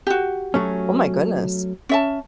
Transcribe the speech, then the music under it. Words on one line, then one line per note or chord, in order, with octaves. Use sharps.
Oh, my goodness.
F#4 G4
F#3 A3 C#4
C#4 E5 A5